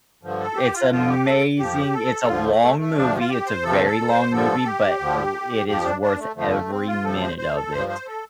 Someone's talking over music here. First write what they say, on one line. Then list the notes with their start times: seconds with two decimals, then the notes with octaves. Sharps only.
It's amazing! It's a long movie, it's a very long movie, but it w it is worth every minute of it,
0.23 G2 D3 F3
0.40 A4
0.57 G4
0.74 F4
0.91 F2 D3 F3 F4
1.08 G4
1.25 A4
1.59 F2 F3 G4
1.93 A4
2.27 D2 D3 F3 F4
2.44 A3
2.61 A3
2.79 A3
2.95 D2 C3 F3 D4
3.19 F4
3.30 G4
3.46 C5
3.63 D2 C3 F3 A4
3.86 A4
4.09 C5
4.32 G2 D3 F3 A4
4.66 G4
4.99 D2 D3 F3
5.67 F2 F3 G4
5.85 D4
6.02 D4
6.19 A3
6.36 F2 D3 F3 A3
6.53 A3
6.70 C4
6.87 F4
7.04 D2 C3 F3 A4
7.21 C5
7.38 C5
7.55 A4
7.72 G2 F3 C5
7.89 C5
8.07 A4